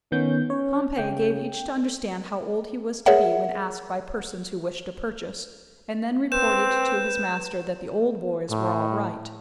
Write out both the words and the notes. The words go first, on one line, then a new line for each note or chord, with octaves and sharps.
Pompey gave each to understand how old he was to be when asked by persons who wished to purchase, and then reported to his master that the "old boys" were all right.
D#3 B3 C#4 G6
C#4 C#5
C#3 G5
G#4 A#4 C#5 E5 F#5
C4 B4 G6 E7
A2